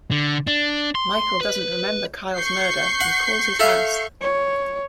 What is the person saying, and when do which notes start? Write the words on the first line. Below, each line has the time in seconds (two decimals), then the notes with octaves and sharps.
Michael doesn't remember Kyle's murder and calls his house.
0.11 D3
0.47 D4
0.95 C6
1.41 B4
2.37 C#6 G6 C7
3.01 F#5
3.60 A4 E5 F5
4.21 C#5